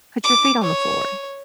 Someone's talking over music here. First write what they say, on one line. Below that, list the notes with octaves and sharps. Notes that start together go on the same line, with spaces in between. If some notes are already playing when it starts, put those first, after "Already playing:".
put your feet on the floor
D6
C#5